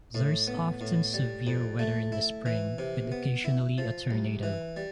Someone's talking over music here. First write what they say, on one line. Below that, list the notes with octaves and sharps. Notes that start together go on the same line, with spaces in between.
There is often severe weather in the spring, with occasionally a tornado.
A2
B3
A2
G3
F2
A3
E4
E3
C3
B3
E4
F3
C2
E3
G3